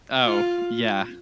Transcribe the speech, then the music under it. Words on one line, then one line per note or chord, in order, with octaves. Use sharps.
Oh, yeah.
F4